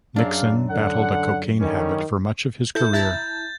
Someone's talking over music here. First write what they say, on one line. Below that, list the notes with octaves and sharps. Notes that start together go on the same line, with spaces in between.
Nixon battled a cocaine habit for much of his career.
F#2 D4 G#4 D5 F5
D3 F#5
D3 D#3 G3 C#4
E4 A4 G6
E4 A5 A#5 A6